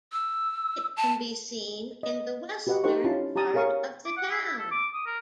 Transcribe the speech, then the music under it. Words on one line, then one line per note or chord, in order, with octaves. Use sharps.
It can be seen in the western part of the town.
E6
A5
D#5
F#4 G4 B4 D#5 F#5
D#4 G4 A4 C5 F#5 C#6
C#4 E4 F4 A5 C6
G4 A5 A#5 D#6
G#4 A#4 C#5 F5 C#6 D#6
D6
F#5
E4
E4
A4
D6
D#6
A#4